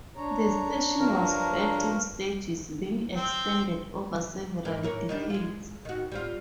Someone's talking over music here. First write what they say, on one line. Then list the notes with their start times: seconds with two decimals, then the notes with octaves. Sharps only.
The station was built in stages, being expanded over several decades.
0.17 D4 C#5 A#5
1.00 G2 F3 A#4
3.16 C4
4.65 G#2 A#3
4.83 E3 A#4 C#5
5.09 D#3 G3 D4
5.30 G#3 F4
5.85 D#3 F#4
6.12 G3 C4 F4